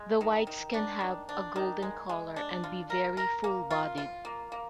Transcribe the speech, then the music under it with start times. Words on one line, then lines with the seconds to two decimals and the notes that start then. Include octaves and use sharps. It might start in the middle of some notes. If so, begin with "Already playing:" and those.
The whites can have a golden color and be very full bodied.
Already playing: G#3
0.21 D#3
0.47 D#3
0.74 D4
1.01 D#3
1.29 D4
1.56 D#3
1.82 G#3
2.09 G#3
2.36 D4
2.64 F4
2.90 A#4
3.17 A#4
3.44 A#3
3.70 F4
3.98 F4
4.25 A#3
4.52 A#3